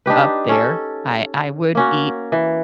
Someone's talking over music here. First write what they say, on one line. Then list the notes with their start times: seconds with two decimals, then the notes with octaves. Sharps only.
up there. I I would eat
0.06 D4 D#4 G4 B4
0.49 C#4 A4
1.75 A#3 C#4 F#4
2.32 E3